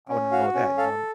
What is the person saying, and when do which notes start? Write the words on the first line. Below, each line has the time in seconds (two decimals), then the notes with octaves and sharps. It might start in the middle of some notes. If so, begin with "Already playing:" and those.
I wanna know that, you know, and
0.09 C#4
0.32 F#4 F5
0.55 C#4
0.78 A4 F5